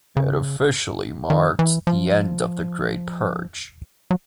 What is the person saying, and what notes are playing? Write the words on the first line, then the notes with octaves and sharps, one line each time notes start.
It officially marked the end of the Great Purge.
C#3
D#3
E3
F3
F#3